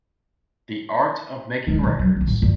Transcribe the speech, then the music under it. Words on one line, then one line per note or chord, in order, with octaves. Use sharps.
The Art Of Making Records.
D1 G#3
B2 E3
F#3
G3 D4
A2
F1 G2